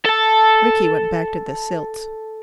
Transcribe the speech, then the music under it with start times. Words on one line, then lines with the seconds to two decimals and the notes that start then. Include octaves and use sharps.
Rickie went back to the Silts.
0.05 A4 A5